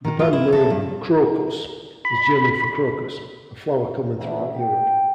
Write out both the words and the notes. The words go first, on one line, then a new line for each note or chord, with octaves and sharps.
The band name "Krokus" is German for crocus, a flower common throughout Europe.
D#3
F4
E4
A4
G2
B5
A1 D2
G5